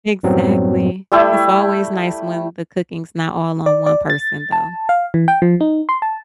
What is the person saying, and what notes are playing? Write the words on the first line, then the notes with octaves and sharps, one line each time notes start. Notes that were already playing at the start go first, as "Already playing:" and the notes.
Exactly, it's always nice when the cooking's not all on one person though.
F#2 A2 F#3 G3 B3 C4
G3 A3 E4 G5
D5
D5
A6
A5
F5
E3
G5
F3
D#4
C6
A5